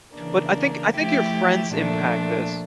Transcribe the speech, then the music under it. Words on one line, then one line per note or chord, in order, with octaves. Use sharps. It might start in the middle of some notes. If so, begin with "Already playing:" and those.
But, I think I think your friends impact this.
C#3 E3 A#3 D4
F3 A3 E4 G4
A#2 F3 A3 D4